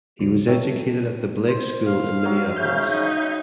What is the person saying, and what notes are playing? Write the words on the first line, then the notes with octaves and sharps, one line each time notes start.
He was educated at the Blake School in Minneapolis.
D#2 C#3 F#3
B3 G4 A#4 C#5 E5 G5
F#3 A4
C5
F5
F#3
G#2 C#3 E5 G6
D#4